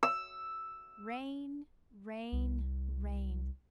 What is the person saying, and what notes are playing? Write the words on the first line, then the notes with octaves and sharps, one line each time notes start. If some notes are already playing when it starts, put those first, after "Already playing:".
Rain, rain, rain!
E6
C2